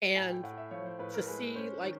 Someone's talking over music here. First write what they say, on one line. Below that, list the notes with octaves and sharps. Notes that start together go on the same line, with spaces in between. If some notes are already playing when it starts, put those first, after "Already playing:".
and you to see, like,
A2 G#5
G5
A2 F#5
E5
F3 C#5
C5
A2 B4
A#4
G#3 B4
C#4 C5
D#3